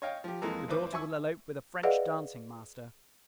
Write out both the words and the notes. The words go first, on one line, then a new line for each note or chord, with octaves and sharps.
The daughter will elope with a French dancing-master.
C#5 D#5 F5 G5
F3 G4
F2 E3 G#3 A#3 A4 A#5
G#1 E3 B4 C5 D6
E4 G#5 C#6 E6
G#4 B4 D5 D#5 F5 F#5